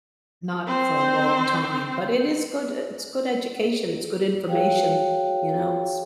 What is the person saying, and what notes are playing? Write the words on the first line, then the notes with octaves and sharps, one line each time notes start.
not for a long time, but it is good e it's good education, it's good information. You know, it's
C4 C5
F#4 G#4 C#5 F5 G5